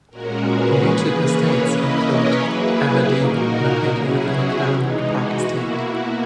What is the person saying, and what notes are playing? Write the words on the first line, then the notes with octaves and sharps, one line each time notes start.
Mooted estates include "Evadene", located within the Claremont Park estate.
A#2 G#3 C#4 F#4 A#4
G#4 B4
C#3 E3 A#3
A#4 C#5
E3 A#3 C#4 E4 B4 D#5
A#4 C#5
F#3 A#3 E4 G#4 B4
G#4 B4
A#2 A#3 D#4 F#4 A#4
F#4 A#4
B2 F#3 C#4 E4 G#4
F#4
E3 G#3 D#4
F#4
B2 A#3 E4